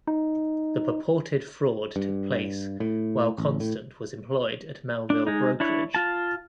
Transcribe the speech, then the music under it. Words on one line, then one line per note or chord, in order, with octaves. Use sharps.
The purported fraud took place while Constant was employed at Melville Brokerage.
D#4
G2
A2
A1
A2
D4
G#3 D#4
D4 E4 C#5
F4 A5